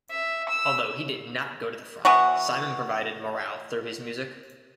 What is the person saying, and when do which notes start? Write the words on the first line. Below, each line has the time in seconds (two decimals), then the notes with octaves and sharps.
Although he did not go to the front, Simon provided morale through his music.
0.11 E5
0.49 E6
2.05 E3 B3 E4 F#4